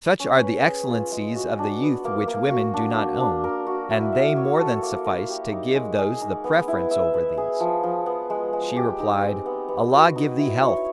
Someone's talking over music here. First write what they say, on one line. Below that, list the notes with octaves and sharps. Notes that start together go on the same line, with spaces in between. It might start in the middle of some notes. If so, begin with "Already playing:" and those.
Such are the excellencies of the youth which women do not own, and they more than suffice to give those the preference over these.' She replied, 'Allah give thee health!
C#4
B4
G#4
F4
G#3
F#4
D4
B3
A#3
A#3
F#4
D4
D4
D4
A#4
F#4
E4
E5
C#5
A4
A#3
A#4
G4
D#4
G#3
G#4
D#4
B3
E4
E5
B4
G#4
F3
F3
B3
G#3
G#3
G4
D#4
C4
B3
B3
F#4
D#4
E4
C#5